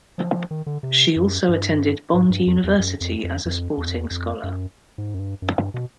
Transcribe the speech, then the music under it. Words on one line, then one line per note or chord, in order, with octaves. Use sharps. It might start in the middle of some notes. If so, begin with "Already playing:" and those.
She also attended Bond University as a sporting scholar.
F3
F3
D#3
D3
C3
F#2
G2
G#2
G2
F2
E2
F#2
F2
F2
F2
E2
F2
E2
F2
F#2
G#2
F#2
G2
F#2
G2
B2